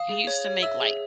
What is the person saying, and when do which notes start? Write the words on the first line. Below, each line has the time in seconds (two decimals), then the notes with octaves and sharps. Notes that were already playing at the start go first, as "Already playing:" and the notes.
He used to make, like
Already playing: F5 D#6
0.09 G#4
0.27 C#5
0.45 C#5
0.62 E5 E6
0.81 G#4